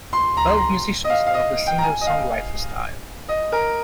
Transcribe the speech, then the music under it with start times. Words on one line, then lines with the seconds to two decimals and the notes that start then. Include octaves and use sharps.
Both musicians are of the singer-songwriter style.
0.13 C6
0.37 A#5
0.47 C6
0.57 A#5
1.04 D#5
1.10 F5
1.27 F5
1.34 D#5
1.67 G5
1.78 A#5
1.83 G#5
2.01 D#5
2.07 F5
3.29 D#5
3.52 A#4